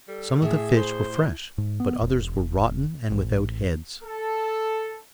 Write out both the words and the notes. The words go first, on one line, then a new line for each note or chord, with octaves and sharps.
"Some of the fish were fresh, but others were rotten and without heads."
G3 A4
A2 G#4 E5
C5
G#2
B3
E1
A1
A4